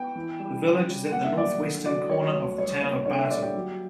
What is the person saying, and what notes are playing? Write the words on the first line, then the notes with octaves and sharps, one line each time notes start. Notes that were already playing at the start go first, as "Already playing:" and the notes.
The village is at the northwestern corner of the town of Barton.
Already playing: B3 G5
E3
G3
C#3
G3
A#3 F#5
E5
B1 D5
D3
F#3 D5
G3 C#5
D2 C#5
G3 C#5
A#3 C#5
D3 C#5
E5
G3 D5
G4
F#3